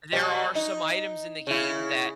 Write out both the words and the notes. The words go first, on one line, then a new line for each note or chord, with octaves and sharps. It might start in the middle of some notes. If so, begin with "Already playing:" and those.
there are some items in the game that
B2 G3
D#4
C#3 E4